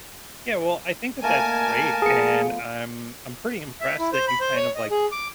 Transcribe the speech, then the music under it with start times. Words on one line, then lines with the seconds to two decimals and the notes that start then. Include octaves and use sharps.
Yeah, well, I think that that's great, and I'm I'm pretty impressed that you kind of, like,
1.23 A3 A#3 A#4 D#5 G#5 A5
2.02 F3 B3 G#4 F5 C#7
3.81 E5
3.99 E4
4.13 C5
4.28 B5
4.40 C5
4.55 C#5
4.75 D#5
4.91 G#4
5.12 D6